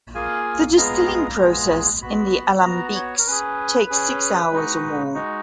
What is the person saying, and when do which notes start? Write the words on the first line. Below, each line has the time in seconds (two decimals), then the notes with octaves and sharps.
The distilling process in the "alambiques" takes six hours or more.
0.15 A#3 F4 G#4 G#5
0.76 G#3 B3 F4 G#4 A#5
1.39 G#3 B3 F4 G#4
2.02 B3 F#4 B5
2.60 B5
2.65 B3 F#4 A#5
2.95 C#5
3.19 A#4
3.27 C#4 G#4 B4
3.90 C#4 G#4
4.52 G#3 D#4 F#4
5.14 G#3 D#4 F#4